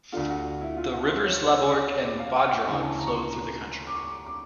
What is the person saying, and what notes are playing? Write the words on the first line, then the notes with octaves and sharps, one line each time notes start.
The rivers Laborc and Bodrog flowed through the county.
D2 D3 F4
F#4
E4
F4
F#4
C5
C#5
C#5
C#5
D5
C#5
D5
F5
F#5
G5
D2 C#3 E3 G#5
A5
A#5
C#6
C6
D6
C#6
D6